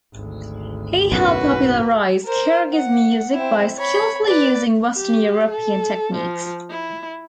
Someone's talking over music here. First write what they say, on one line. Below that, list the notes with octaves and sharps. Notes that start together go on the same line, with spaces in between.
He helped popularize Kyrgyz music by skillfully using Western European techniques.
G#1 D2
B1 F#2 A2 F#4 B4
A#4 C5
F#5
C4 E4
C#5 B5
B4 D5
G4
A4
F3
E4